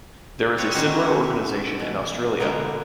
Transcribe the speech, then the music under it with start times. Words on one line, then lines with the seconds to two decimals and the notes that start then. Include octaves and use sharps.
There is a similar organisation in Australia.
0.58 C4 B4 C#5
0.75 D#3 G3 C#4 F#4 C5
1.24 E5
1.79 B2 E3
2.40 B2 D3 G#3 A#3 B3